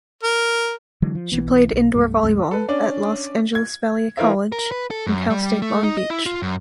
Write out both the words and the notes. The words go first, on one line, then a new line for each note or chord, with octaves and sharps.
She played indoor volleyball at Los Angeles Valley College and Cal State Long Beach.
A#4
D3 E3 F#3 G#3
F3
B1 E3 B3
B1
C2 G2 E3 A3
B1 F2 G#3 A3
A4 B4
C#4 D4 D5
G#6
E3 D#4 F4 A#4 C5 E5
A#4
B4
A4
F#2
G3
A3
D#4
D#5
E4
F4
F#2